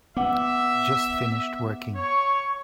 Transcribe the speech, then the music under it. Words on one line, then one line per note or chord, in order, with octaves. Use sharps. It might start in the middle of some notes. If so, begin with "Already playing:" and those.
Just finished working.
B3 E5 F#5 D6
C#5 C#6